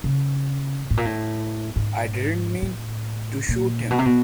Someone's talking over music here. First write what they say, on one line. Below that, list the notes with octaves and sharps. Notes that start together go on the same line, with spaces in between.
I didn't mean to shoot him.
C#3
A2
A#2
A2
G#2
A2
A#2
B2
C3
B2